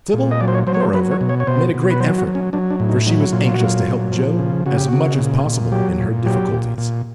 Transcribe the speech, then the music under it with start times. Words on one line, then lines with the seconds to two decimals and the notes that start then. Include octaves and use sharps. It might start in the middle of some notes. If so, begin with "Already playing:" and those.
Sybil, moreover, made a great effort, for she was anxious to help Joe as much as possible in her difficulties.
0.14 A#2
0.31 D#5
0.41 F#3 D5
0.48 C5
0.55 C#5
0.67 F#3 C5
0.75 C#5
0.80 C5
0.93 F#3 B4
1.11 C#5
1.21 B2
1.29 C#5
1.40 C#5
1.47 B2 C5
1.74 B2
1.91 B4
2.00 F#3 C5
2.18 F#4
2.27 F#3
2.35 C#4
2.53 F#3 D4
2.70 D4
2.80 A2
2.89 D#4
3.06 F#3 D#4
3.20 E4
3.32 A#2 F4
3.46 F4
3.54 F#4
3.60 F#3 F4
3.86 A#2
4.12 F3
4.39 C#3
4.66 C#3 F#4
4.77 G4
4.88 C#3 F#4
5.19 A#2
5.45 A#2
5.72 F#3 G4
5.99 A#2
6.25 F#3 G4
6.52 A#2
6.78 A#2